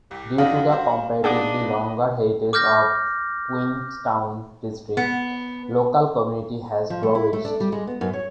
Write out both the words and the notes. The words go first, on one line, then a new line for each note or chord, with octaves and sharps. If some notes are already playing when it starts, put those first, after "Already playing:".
Due to the comparatively longer heritage of Queenstown district, local community has flourished.
C2 G4
F2 D4 D#4 F#4 F5
G3 C5
B3 D4 D#4 G#4 F#5 D6
D6 F6 G6 A#6
B3
F3
A3
E4
A3
D4
G3
G#3
B3
F#2
C#5